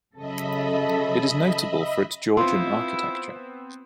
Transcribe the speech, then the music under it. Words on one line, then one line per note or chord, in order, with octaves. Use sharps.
It is notable for its Georgian architecture.
C#3 F#3 A4 D#5 E5 B5
B3 C4 E4 F4 C6